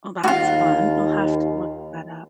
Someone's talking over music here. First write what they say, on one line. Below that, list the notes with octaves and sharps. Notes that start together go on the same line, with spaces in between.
Oh, that's fun, I'll have to look that up.
D#2 F4 F#4